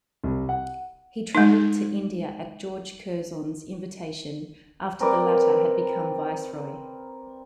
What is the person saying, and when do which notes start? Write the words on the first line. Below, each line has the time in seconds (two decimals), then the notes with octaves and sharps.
He travelled to India at George Curzon's invitation after the latter had become Viceroy.
0.24 C2
0.49 F#5
1.35 G#3 D#4
5.00 C4 A#4 B4 D5